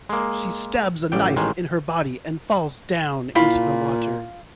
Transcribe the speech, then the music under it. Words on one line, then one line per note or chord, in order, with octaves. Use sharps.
She stabs a knife in her body and falls down into the water.
G#3 A#3
A1 D5 G5
A1 D#3 G#3
A#2 E4 F4 B5